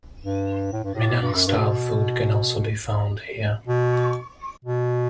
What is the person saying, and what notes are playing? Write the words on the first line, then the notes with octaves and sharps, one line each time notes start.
Minang style food can also be found here.
G2
A2
G2
A2
G2
F#2
G2
B2
B2
B2